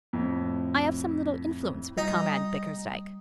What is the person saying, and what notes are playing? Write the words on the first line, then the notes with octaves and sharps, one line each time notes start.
I have some little influence with Comrade Bickersdyke.
F2 A2
G3 D#4